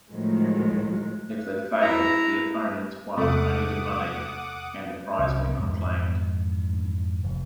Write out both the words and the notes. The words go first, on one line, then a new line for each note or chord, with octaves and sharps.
If they failed, the opponents won only the money and the prize went unclaimed.
A2 D#3 F3 F#3 G#3
E4 A#5
E2 C3 A3 F#5 D6 D#6
C2
F2 G#2 D#3 E3
F1